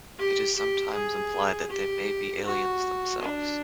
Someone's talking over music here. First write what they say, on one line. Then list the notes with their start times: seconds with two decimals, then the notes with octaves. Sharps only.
It is sometimes implied that they may be aliens themselves.
0.18 G4
0.57 G4
0.94 G#4
1.70 G4
2.45 F#4
3.21 D4